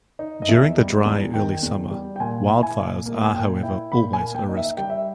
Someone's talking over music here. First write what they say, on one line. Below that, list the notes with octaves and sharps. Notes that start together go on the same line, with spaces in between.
During the dry early summer wildfires are however always a risk.
D#4
D#5
E2 E5
G3
E2
D#3 G5
E2
G3
G5
A#2 G#5
E4
G#5
A#2
A#3
G#5
A#2 G5
E4 G5
A#2 B5
G#5
A#3
G5
D#4
E5
G3 G5
E5